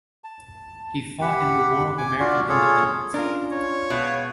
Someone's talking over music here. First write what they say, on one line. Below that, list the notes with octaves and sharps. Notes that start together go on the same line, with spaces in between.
He fought in the War of American Independence.
A5
G4 F#5 B5
G#5 D6
D4 F4 F#4 D5
F4 G#4 A4 C#5
C#4 D4 F4 A#4
C#5
B2 G#3 F5